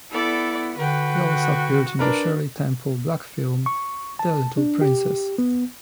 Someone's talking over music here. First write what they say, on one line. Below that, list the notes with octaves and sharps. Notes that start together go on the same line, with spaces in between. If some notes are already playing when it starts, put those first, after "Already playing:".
He also appeared in the Shirley Temple Black film, "The Little Princess".
B3 E4 A4 D5
D3 F#4 B4 G5
D4 A#4 B4
C#6
A5
D4
G4
B3